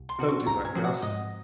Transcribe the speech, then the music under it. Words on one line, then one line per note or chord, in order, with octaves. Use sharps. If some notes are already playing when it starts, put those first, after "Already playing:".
"Don't do that, Guss?"
Already playing: C2
C6
C3 F3 C4 F#4
C#6
C2 A#5
G#5
C3 F3 C4 F#4
F#5
G#2 D#5